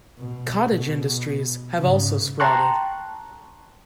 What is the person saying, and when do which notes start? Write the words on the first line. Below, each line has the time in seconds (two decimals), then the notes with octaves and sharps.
Cottage industries have also sprouted.
0.19 B2
0.65 B2
1.78 G#2 C#3
2.40 G5 A5 A#5 C6 C#6 F#6